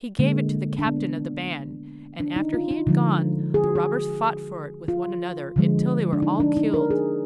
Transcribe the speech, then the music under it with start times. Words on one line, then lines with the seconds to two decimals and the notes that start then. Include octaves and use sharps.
He gave it to the captain of the band, and after he had gone the robbers fought for it with one another until they were all killed.
0.19 D3 G#3 A#3
0.79 D4
0.86 B3
2.20 D4
2.36 D#4
2.54 F4
2.71 D#4
2.87 D3 F3 G#3
3.54 G#4
3.64 F#4
3.75 G#4
4.88 F4
5.56 D3 F3 G#3
6.13 D4
6.22 D#4
6.40 D4
6.57 D#4
6.74 A#4
6.90 G#4